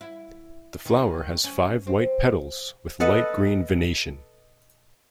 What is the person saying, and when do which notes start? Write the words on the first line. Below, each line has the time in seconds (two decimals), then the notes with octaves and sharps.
The flower has five white petals with light green venation.
0.01 E4
0.85 D#3
1.44 C#4
1.87 C4
3.00 A4 B4 D#5 F#5